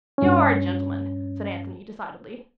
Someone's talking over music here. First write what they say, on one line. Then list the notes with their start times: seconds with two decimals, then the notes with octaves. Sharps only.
"You're a gentleman," said Anthony, decidedly.
0.18 G2 C#4